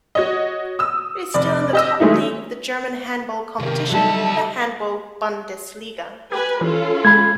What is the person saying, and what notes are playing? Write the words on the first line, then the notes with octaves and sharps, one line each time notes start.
It is still in the top league of the German handball competition: the Handball-Bundesliga.
F#4 C#5 D#5
D#6 E6
F1 D5
G4 D#5 E6
D#3 F#3 G#3 A3 D#4 E4
C3 D#3 G4 A#4
D2 F#3 G3 D#4 A4 E5 A5
G4 B4 G#5
E3 C#4 F4 A4
G#3 B5 G#6